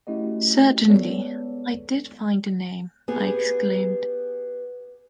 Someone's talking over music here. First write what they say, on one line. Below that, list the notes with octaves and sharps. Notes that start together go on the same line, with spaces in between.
Certainly, “I did find the name,” I exclaimed!
A3 C#4 E4 F#4 G4 D#5
G#3 B3 A4 C#5 D5
B3 G4 G#4